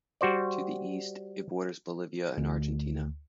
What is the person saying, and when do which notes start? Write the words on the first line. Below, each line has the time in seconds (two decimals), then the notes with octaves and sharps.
To the east it borders Bolivia and Argentina.
0.21 G3 F#4 C5 D5
2.38 D2